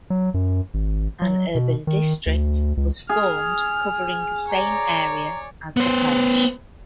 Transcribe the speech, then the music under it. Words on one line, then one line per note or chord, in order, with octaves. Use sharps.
An urban district was formed covering the same area as the parish.
F#3
F#2
G#1
F#3
B2
D#3
D2
C#2
G#4 F6
C#5 D5 A#5
B3 C5